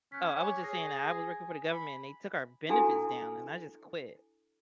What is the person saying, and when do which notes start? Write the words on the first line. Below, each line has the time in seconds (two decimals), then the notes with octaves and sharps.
Oh, I was just saying that I was working for the government and they took our benefits down and I just quit.
0.12 C#4 F#6 B6
0.35 C#5 G#5 D6
0.63 G#4 A#6 C7
1.20 G#5
1.69 B5
2.69 D4 E4 F#4 A4 G#5